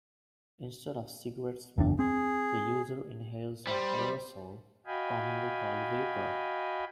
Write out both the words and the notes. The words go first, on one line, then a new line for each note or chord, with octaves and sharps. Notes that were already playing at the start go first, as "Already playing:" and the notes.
Instead of cigarette smoke, the user inhales an aerosol, commonly called vapor.
F#1 E2 D4
C4 G#4
G3 C5
F#4 D#5 F5 G5 G#5 B5